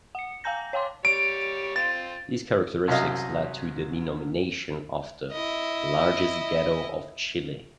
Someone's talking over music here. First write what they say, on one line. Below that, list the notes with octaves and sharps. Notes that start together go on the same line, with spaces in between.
These characteristics led to the denomination of the "largest ghetto of Chile".
F#5 C#7
F5 G5 G#5 A#5 G6 A#6
C#5 F5 G5 A5 C6 D6
G3 C#5 D5 D7
C4 F4 A6
C2 F#2 D#5 F5
E4 D#5